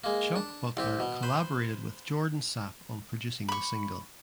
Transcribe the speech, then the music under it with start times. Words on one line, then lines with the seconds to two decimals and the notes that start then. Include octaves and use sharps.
Chuck Butler collaborated with Jordan Sapp on producing the single.
0.04 G#3 A#3
0.36 D4
0.77 C2 C4 G4
1.00 B2
1.23 B4 C5
3.49 B5 C#6